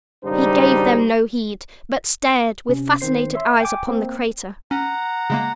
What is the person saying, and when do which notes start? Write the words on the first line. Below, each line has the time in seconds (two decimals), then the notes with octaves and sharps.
He gave them no heed; but stared with fascinated eyes upon the crater.
0.24 G#1 C#3 G3 D4 D#4 C5
2.69 C3 C#4
3.01 D#3 C4 C5 C7
3.33 C#5 E5 C6
3.60 G5 G#5 D6
3.87 A#3 C4
4.71 C#4 F#5 A#5
5.30 C#3 G#3 A#3